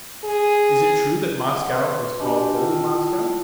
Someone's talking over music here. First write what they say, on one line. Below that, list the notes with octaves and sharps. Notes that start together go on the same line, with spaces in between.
Is it true that Moscow is called 'Holy Moscow'?
G#4
D#5 F#5
B4 C6
D4 F#4 G4 D#5 G#5 A5
E4 F4 G5 A5